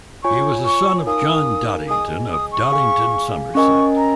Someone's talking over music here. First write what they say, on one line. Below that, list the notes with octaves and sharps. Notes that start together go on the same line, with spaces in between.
He was the son of John Dodington of Dodington, Somerset.
F4 C#5 G#5 C#6
C#6
D#4 A#4 F5 G#5 D#6
G#4 D#5 G#5 D#6
D#6
C#6
G#4 F5 G#5
C#4 A#4 D#5 G#5 C#6
A#5